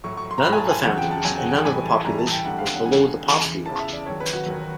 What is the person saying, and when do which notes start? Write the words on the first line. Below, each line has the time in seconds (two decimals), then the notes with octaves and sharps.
None of the families and none of the population were below the poverty line.
0.04 A2 F#3 C#6
0.17 C#6
0.31 C6
0.38 A#5
0.44 A2 F#3 B5
0.53 G#5
0.58 A5
0.71 G#5
0.85 E2 C#3 F#3 F#5
0.98 G5
1.11 A5
1.25 E2 C#3 F#3 G#5
1.38 F#5
1.51 G5
1.64 A2 E3 G3 G#5
1.85 A5
2.05 A2 E3 G3 A#5
2.19 A5
2.32 G5
2.45 F2 D3 G3 F#5
2.58 F5
2.72 F#5
2.86 F2 D3 G3 G#5
3.26 E2 C#3 E3
3.66 E2 C#3 E3 A5
3.80 E5
3.93 D5
4.06 D#2 D#3 F#3 C#5
4.20 B4
4.33 F#4
4.46 D#2 D#3 F#3